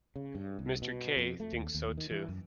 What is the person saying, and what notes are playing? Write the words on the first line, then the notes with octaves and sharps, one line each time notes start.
Mr. Kay thinks so too.
C#3
G2
C2
B2
F2
A3
D#2
D#2
D#3
E3
F#2